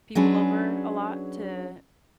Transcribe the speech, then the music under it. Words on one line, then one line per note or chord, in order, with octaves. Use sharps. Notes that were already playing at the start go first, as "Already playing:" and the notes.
people over a lot to
F#3 C#4 D4 G#4 B4